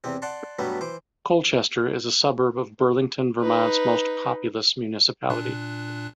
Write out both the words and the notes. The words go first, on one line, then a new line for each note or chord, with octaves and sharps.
Colchester is a suburb of Burlington-Vermont's most populous municipality.
E2 C3 C4
D5 F#5 A5 C6
G2 F#3 G3 A3 B3
E3 C5 D6
D#4 B4
A#2 D4 F#6